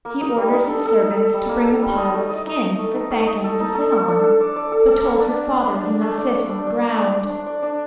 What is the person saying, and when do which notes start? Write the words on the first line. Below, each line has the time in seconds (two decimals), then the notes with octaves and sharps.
He ordered his servants to bring a pile of skins for Thakane to sit on, but told her father he must sit on the ground.
0.05 A#3
0.21 D#4
0.37 G3
0.53 D#4
0.69 A4
0.85 A4
1.02 D#4
1.17 A4
1.34 G3
1.49 A#3
1.65 A4
1.82 G3
1.98 D#5
2.14 A3
2.30 D#5
2.47 D#4
2.63 D#5
2.79 A3
2.95 D#4
3.11 A3
3.27 D#5
3.44 A4
3.60 D#4
3.75 A4
3.92 A4
4.08 D4
4.23 A4
4.41 D5
4.56 D5
4.72 A4
4.88 A4
5.05 A#3
5.20 D4
5.36 D4
5.53 D4
5.70 D4
5.86 D4
6.01 A3
6.18 D5
6.33 D5
6.50 D4
6.67 D4
6.82 D4
6.98 D5
7.14 D4
7.30 D4
7.46 D5
7.63 D4